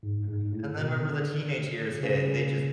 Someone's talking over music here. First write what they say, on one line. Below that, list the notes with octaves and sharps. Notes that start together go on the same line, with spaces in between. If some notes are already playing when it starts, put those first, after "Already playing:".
Right, and then whenever the teenage years hit, they just,
G#2
G#2
A2
B2
D3
C#3